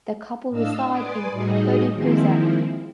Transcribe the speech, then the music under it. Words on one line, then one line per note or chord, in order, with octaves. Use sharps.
The couple reside in Thodupuzha.
A2 D4 D#5 F5 E6
B4 D5 G#5 C6 D6 D#6
A2 G3 D#4 F#4 G#4 D#5
D#3 F3 G#3 A#3 C4 E4